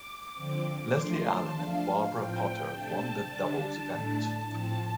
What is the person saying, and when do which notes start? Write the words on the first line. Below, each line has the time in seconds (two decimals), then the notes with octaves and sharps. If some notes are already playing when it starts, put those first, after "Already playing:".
Leslie Allen and Barbara Potter won the doubles event.
Already playing: D6
0.33 D3 F3 C4 D6
0.93 F3 A3 D4 C6
1.23 A5
1.52 F3 A3 D4 F5
2.11 A2 F3 C4 G5
2.70 C3 A3 D4 A5
3.29 D3 G3 D4
3.88 A2 A3 D4
4.47 A2 F3 C4 A5